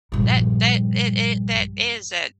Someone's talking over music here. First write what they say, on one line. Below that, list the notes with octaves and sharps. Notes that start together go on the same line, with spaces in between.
That that it it that is that
A#1 G2